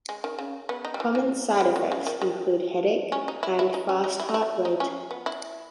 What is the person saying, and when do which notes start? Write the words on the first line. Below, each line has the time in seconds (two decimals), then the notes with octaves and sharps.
Common side effects include headache and fast heart rate.
0.09 G#3
0.24 D#3
0.39 C#3
0.69 B3
0.85 D#4
0.94 G3
1.00 E3
1.15 E3
1.61 D#3
1.76 D#3
1.92 C#3
2.07 D#3
2.22 D#3
3.12 C#4
3.28 D#4
3.43 E4
3.59 E4
3.74 D#4
3.89 C#4
4.04 D#4
4.20 E4
4.29 D#4
4.34 E4
4.65 D#4
4.80 C#4
5.11 B3
5.26 E4